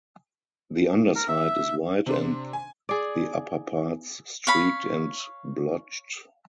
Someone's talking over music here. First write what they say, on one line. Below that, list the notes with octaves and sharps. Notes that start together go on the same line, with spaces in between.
The underside is white and the upper parts streaked and blotched.
A#4
E5
C3 D4 C6
G#5
G#4 D5
C#5 F5 B5